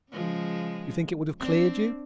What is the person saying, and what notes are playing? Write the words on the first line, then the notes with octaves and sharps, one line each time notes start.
You think it would have cleared you.
C#3 F3 G#3
C4 D4